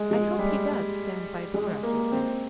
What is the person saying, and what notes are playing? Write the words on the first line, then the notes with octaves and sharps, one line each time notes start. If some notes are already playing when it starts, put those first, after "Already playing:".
"I hope he does stand by Dora," he said.
Already playing: G#3
G#3
G3
G#3
A#3
C4